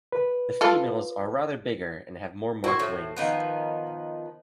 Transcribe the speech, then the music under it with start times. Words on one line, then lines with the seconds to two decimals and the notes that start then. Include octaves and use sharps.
The females are rather bigger and have more marked wings.
0.12 B4
0.61 F4 A4
2.64 E4 F#4 C5 C#6
2.79 A2
3.16 D#3 F3 B3